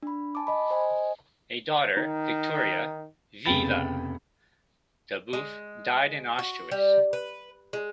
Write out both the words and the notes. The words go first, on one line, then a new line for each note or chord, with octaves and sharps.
A daughter, Vittoria "Viva" Daubeuf, died in Auschwitz.
D4 B5
G#5 A5 D6
D#5 B5
C5 D#5 G#5
D#3 D#4
F1 C#3 B3 G5 B5 A6
G#3
F#4
G3
B4
G#3